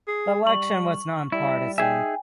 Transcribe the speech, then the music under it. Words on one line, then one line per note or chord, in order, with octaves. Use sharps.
The election was nonpartisan.
G#4
G3 C#6 F#7
G3 E4
D#4 G#4 E5 G5 G#5